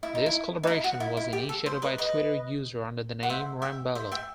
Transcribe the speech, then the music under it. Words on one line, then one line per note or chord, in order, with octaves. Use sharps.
This collaboration was initiated by a Twitter user under the name 'Ramballo'.
E4
D#4
E4
D#4
E4
F#4
E4
E4
G4
A4
C5
B4 D#5
B4 D#5
F#5
C5 E5
E5 G5
C5 E5
E5 G5